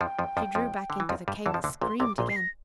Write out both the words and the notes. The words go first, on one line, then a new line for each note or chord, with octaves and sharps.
She drew back into the cave and screamed again.
F2 F3 G5
F2 F3
F2 F3
F2 F3
D3
E3
F2 F3
G2 G3
E2 E3 A5
F2 F3
D2 D3
A#1 A#2 C6
C2 C3 D6
A#1 A#2 C6
C7
A#6